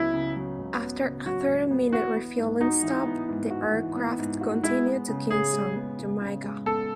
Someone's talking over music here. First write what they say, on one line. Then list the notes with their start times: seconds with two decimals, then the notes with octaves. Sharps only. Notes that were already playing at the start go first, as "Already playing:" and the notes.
After a thirty-minute refueling stop, the aircraft continued to Kingston, Jamaica.
Already playing: C#2 C#3 F#3 B3 E4
0.13 C#3
0.36 F#3
0.58 C#2
0.81 B3
1.03 C#3
1.26 F#3 F#4
1.48 C#2
1.71 B3
1.93 E3 F#4
2.16 B3
2.38 G#2
2.61 D#4 F#4
2.83 E3
3.05 B3
3.28 G#2
3.50 F#4
3.73 E3
3.96 B3
4.19 G#2
4.41 F#4
4.64 G#3 E4
4.86 B3
5.08 C#3
5.30 C#3 G#4
5.53 G#3
5.76 B3
5.99 C#3
6.21 C#3
6.44 G#3
6.66 B3 A4